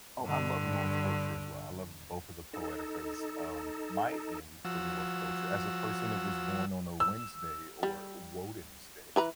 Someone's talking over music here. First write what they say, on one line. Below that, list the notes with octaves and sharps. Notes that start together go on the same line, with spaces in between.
Oh, I love Norse culture, as well, I love both of the poeticas, um, my end for North culture as a person that was born on a Wednesday, or Woden's day,
G2 D3
D#4 A4
F3 F#4 E6
E6
G3
E3 B4 A#5